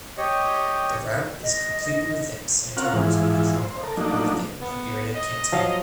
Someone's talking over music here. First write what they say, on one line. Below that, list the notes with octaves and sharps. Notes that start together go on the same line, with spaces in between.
The route is completely within Santa Rosa National Park and within Liberia canton.
G4 C#5 D#5
D#5
C4 C#4 F4 A#4 F5 F#5
G#2 E3 F3
C5
A4 A#4
F3 F#3 A3 A#3 D4 D#4
B3
D#5
F3 F#3 F5